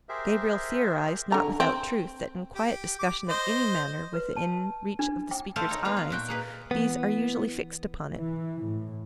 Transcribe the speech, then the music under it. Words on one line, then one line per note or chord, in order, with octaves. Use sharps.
Gabriel theorized, not without truth, that in quiet discussion of any matter within reach of the speakers' eyes, these are usually fixed upon it.
G4 G#4 A#4 C5 E5
D3 A#5
C4
G4
D6
C5 D#5
B4
A5
D4
G5
A3 C5 D5 F5 G#5
D#4 C#5
B3 F4 A#5
F4
A#2 F#4 G5
A#3 G#4 B4
E3 B3
E3
A2